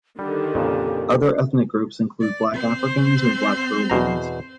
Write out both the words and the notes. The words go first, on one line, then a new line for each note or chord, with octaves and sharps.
Other ethnic groups include Black Africans and Black Caribbeans.
D3 D#3 G3 G4
F2 A#2 C#3
D5
C4 C5
E2 B2 A#5